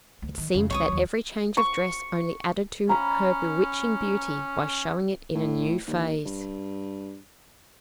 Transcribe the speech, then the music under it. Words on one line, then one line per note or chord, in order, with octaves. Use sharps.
It seemed that every change of dress only added to her bewitching beauty by showing it in a new phase.
D2
D#3
F2 C#3
C#2 C4 C#5 C#6 D#6
D#2 F#3
C#6
C#4 A#5 B5
A2
D#2
G2